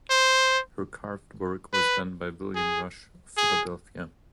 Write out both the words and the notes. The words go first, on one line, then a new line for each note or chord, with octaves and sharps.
Her carved work was done by William Rush of Philadelphia.
C5
B4
G#4
G#4